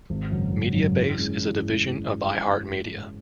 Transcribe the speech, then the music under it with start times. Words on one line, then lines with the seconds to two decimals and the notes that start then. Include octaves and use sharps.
Mediabase is a division of iHeartMedia.
0.10 G#1
0.32 F#2 C#3 F#3
0.53 G#1
0.75 F#2 C#3 F#3
0.96 E3
1.18 G#3 C#4
1.40 E3